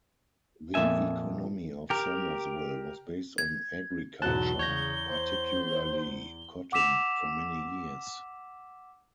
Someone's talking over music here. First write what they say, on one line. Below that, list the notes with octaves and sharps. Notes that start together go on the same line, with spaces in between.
The economy of Sandersville was based on agriculture, particularly cotton, for many years.
F2 A#2 E5 G#5
G4 A#4
G#6
B1 E2 F#3 A5 F#6 G7
C#3 C#5 G6 A#6
C5
F#5 D6 E6 B6 E7 F7